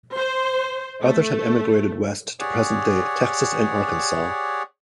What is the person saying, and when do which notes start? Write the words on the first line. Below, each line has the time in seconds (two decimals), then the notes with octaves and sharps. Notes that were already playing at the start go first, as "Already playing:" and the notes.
Others had emigrated west to present-day Texas and Arkansas.
0.16 C5
1.02 A3
2.40 G4 G#4 C#5 D5 F#5